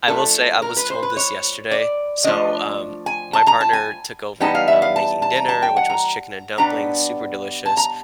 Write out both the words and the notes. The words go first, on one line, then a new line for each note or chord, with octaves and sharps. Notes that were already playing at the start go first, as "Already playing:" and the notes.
I will say I was told this yesterday. So, um, my partner took over, uh, making dinner, which was chicken and dumplings, super delicious
F3 A3 D4 A4
A#4
B4
C5
B4
C#5
D5
F3 A3 D4 D#5
G#5
A5
A#5
A5
G#5
E3 G3 B3 D#4 A5
F5
E5
F5
A5
A5
A#5
A5
G5
F#5
A#5
B2 G3 B3 D4 A#5
A5
A#5